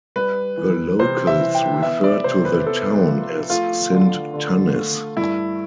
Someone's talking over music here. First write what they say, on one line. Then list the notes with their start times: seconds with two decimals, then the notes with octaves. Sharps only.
The locals refer to the town as "Sint Tunnis".
0.16 G3 B4
0.58 E3
0.99 C3 C5
1.27 E5
1.41 E3
1.55 G5
1.83 B3 E5
2.04 D5
2.24 C3 C5
2.45 B4
2.66 B3 A4
3.08 F3
3.50 A3 F4
3.91 D3
4.34 D3
4.75 A3
5.17 G2 E4